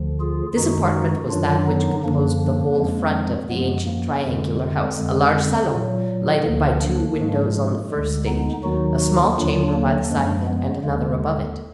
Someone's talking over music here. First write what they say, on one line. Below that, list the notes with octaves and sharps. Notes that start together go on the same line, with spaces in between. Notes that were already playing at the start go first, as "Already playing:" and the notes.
This apartment was that which composed the whole front of the ancient triangular house; a large salon, lighted by two windows on the first stage, a small chamber by the side of it, and another above it.
Already playing: D2 D3 F3
F4 G#4
F#2 D#3 G#3 D#4 F#4
F#2 D#3 F#3 D4 F4
B3 D#4
F#2 D3 F3 A#3 D4
F2 F3 G#3
F#2 F3 G#3 B3
A#3
F2 D3 G#3
G#3
F2 D3 G#3
A#2 F#3
D2 D3 F3 A#3
A#3 D4
G#2 F3 G#3
D2 D3 G#3
B3 D#4
D#2 D#3 F#3 D#4 F#4
D#2 D3 F#3 D4 F4
A#3 D4
F#2 F3 G#3
G#3 B3
D#2 D3 G#3 A#3